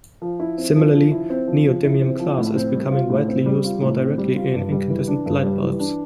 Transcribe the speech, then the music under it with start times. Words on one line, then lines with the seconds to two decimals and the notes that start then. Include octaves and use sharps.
Similarly, neodymium glass is becoming widely used more directly in incandescent light bulbs.
0.22 F3
0.40 E4
0.58 C4
0.76 F3
0.94 F3
1.12 E4
1.30 C4
1.48 F3
1.66 F3
1.84 E4
2.02 C4
2.19 F3
2.38 A2
2.56 C4
2.74 G3
2.92 F4
3.10 A2
3.28 C4
3.46 G3
3.64 F4
3.82 A2
4.00 C4
4.18 G3
4.36 F4
4.54 G2
4.72 G3
4.90 E3
5.08 D4
5.26 G2
5.43 G3
5.62 E3
5.79 D4